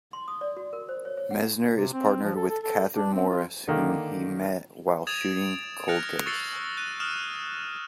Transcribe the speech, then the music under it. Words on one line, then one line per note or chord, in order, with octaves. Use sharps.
Messner is partnered with Kathryn Morris, whom he met while shooting "Cold Case".
C6
D#6
D5
F#4
A#4
C5
C#5
C#5
F#5
C3
C4
F3
A4
A4
A4
D4
C4
F4
D3 D#3 A#3
D#6 G#6 A6 E7 F7
D7
F6 F#6 A6 A#6 C#7 F7
C#6 E6 A6 C7 C#7 G7
F#6 D#7
D#6 F6 E7